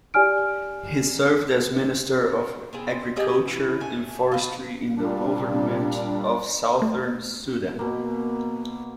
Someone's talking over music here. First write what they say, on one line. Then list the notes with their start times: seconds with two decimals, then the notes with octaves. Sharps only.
He served as Minister of Agriculture and forestry in the Government of Southern Sudan.
0.14 G4 D5 G#5 F6 D7
2.73 B3 C4 G#4
3.16 G4 G#4 D#5 E5
3.48 E3 E4
3.80 A3 G#5
4.32 F4 B4
4.97 A#2 G3 D4
6.82 A3
7.79 B2 A#3